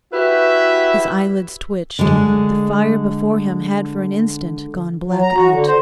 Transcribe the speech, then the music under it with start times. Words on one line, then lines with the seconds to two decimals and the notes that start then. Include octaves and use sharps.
His eyelids twitched; the fire before him had for an instant gone black out.
0.12 E4 F#4 G4 B4 E5
1.99 D3 G#3
5.06 F#3
5.22 A#5
5.35 F#4
5.51 D3
5.67 C5